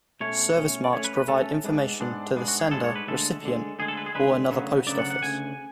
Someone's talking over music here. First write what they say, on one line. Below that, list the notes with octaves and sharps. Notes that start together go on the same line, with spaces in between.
Service marks provide information to the sender, recipient, or another post office.
B2 A3 C#4 C#5
B2 A3 C#4
D5
B2 A3 C#4 C#5
B4
B4
B2 A3 C#4 A4
G#2 G#3 B3 D4
G#2 G#3 B3 D4
G#2 G#3 B3 D4
F#4
G#4
G#2 G#3 B3 D4 A4
C#5
B4
D2 D3 G#3 A4
D2 D3 G#3
D2 D3 G#3 G#4
A4
B4
G#4
D2 D3 G#3 B4
D2 C#3 F#3 B3
D2 C#3 F#3 B3 D5
F#5
F#5
D2 C#3 G#5